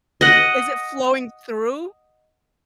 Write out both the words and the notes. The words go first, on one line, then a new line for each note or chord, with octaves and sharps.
is it flowing through?
D#5 F#5